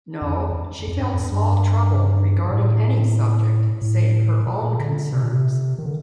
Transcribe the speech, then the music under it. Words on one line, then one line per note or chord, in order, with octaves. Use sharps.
No, she felt small trouble regarding any subject, save her own concerns.
F2
F2
G2
F2
G2
A2
A2
A#2
D3
C3
A#2
C3
D#3
D3